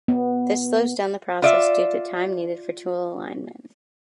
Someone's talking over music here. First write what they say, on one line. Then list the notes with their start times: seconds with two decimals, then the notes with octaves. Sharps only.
This slows down the process due to time needed for tool alignment.
0.08 B3
1.42 F4 D5 E5